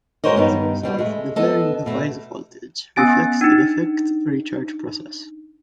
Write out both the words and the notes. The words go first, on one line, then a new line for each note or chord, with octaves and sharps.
As a result, the varying device voltage reflects the defect recharge process.
G#3 F#4 A#4 C5 C#5 D#5
G2 B3 D#4
B2 G3 B3
G#3 A3
B3 A4 D#5
B2 A3
B3 C#4 G#5 A6 D7
D4 D#4